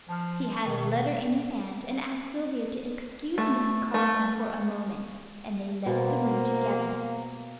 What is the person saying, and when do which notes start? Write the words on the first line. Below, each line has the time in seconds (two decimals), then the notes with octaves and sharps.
He had a letter in his hand, and asked Sylvia to excuse Mrs. Carleton for a moment, and they left the room together.
0.09 F3 A5 F6
0.66 B2 D#3
3.38 A3
3.94 A3
5.86 B2 A#3 C5